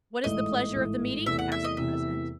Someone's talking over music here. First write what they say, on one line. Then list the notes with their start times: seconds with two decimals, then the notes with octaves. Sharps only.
"What is the pleasure of the meeting?" asked the president.
0.24 A1 G#2 E3 A3 D#5
0.75 A1 G#2 E3 A3
1.26 E2 C3 E3 A3 E5
1.39 F#5
1.52 E5
1.64 D#5
1.77 E2 C3 E3 A3 E5